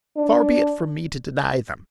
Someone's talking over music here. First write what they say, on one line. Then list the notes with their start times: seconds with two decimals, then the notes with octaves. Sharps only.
Far be it from me to deny them.
0.16 D4